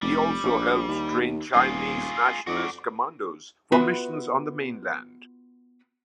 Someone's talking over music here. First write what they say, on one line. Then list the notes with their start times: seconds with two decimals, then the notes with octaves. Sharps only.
He also helped train Chinese Nationalist commandos for missions on the mainland.
0.02 F1 G3
0.43 A#1
0.88 D#2
1.54 D#1 F4 G#4
2.47 F2 F#4 D5
3.72 B3 F4 F#4 B4 E5 B5